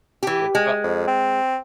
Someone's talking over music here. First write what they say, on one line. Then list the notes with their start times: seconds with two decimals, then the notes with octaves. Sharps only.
wi pro
0.23 E3 G4
0.55 G#3
0.84 F2
1.07 C4